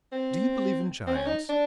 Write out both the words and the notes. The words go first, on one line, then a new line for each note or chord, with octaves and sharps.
Do you believe in giants?
C4
C4
C#4
D#4
D4